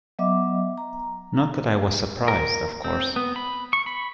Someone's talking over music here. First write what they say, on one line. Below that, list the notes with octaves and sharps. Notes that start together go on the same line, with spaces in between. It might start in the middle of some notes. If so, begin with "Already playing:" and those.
Not that I was surprised, of course.
F#3 B3 D#5 E5 D6
A#5
A#4
C4
B3
B5
C#6
B5